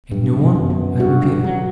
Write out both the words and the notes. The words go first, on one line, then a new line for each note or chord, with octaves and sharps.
'A new one?' I repeated.
G2 F#3
B3
F#2
B3
G2 F#4
B2
F#3